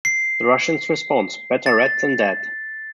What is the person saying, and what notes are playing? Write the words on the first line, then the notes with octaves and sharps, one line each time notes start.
The Russian's response: Better red than dead.
C7
A6